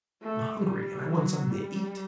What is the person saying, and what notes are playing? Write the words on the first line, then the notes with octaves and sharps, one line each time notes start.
"I'm hungry, and I want something to eat!"
A3
G3
F#3
G3